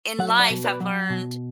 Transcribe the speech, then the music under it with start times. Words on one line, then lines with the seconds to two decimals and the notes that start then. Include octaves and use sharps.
in life, have learned
0.19 F#3 F#5
0.29 E5
0.39 D5 F#5
0.50 B2
0.64 B4 D5
0.80 F#3
1.10 B2